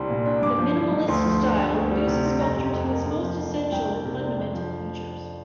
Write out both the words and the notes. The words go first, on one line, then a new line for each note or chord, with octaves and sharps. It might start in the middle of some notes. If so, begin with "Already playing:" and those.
The Minimalist style reduces sculpture to its most essential and fundamental features.
Already playing: C2 G3 D4 C6
A#2
D4
G2 D6
F3
D3
G2
D2 C6
F3
D3
D2
D2
G3
C3
C4
F1 A#5
C3
F2
A#3
F1
F3
F2
D4
C2 G5
A#3
C3
D4
F2
F3